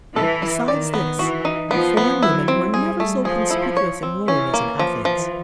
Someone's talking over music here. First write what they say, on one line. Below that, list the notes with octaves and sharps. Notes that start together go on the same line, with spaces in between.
Besides this, foreign women were never so conspicuous in Rome as in Athens.
E3 A4
E4
D#3 D5
B3
E3 F#4
D#4
F3 B3
B3
F#3 E4
C4
G3 G#4
A3
F3 G#4
E4
C#5
C4
E3 C#4
A#3
E3 F3
F3